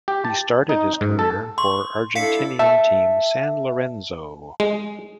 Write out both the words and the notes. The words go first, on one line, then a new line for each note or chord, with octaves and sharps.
He started his career for Argentinian team San Lorenzo.
G4
A5
D#4
G#2
A4
C6 C#6
D4 E4 A4 F5 B6 C#7
E5 A5
G#3